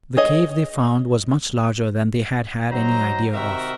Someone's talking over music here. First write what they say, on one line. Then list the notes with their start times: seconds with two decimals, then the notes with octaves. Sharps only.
The cave they found was much larger than they had had any idea of.
0.17 G#4 C#5 D#5
2.72 F#3 D#4 C5 A#5
3.33 C3 D#3 F#4 A#4 E5